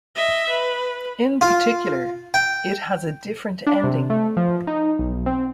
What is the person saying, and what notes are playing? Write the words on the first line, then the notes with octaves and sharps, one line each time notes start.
In particular it has a different ending.
D#5 E5
B4
F4
G5
D4
C3
A3
F3
D#4
B1
C4